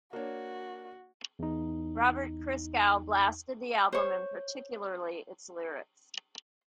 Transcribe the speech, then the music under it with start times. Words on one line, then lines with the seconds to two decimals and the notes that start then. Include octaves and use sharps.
Robert Christgau blasted the album, and particularly its lyrics.
0.13 A#3 D4 F#4 C#5
1.39 E2 D#4
3.92 C5 C#5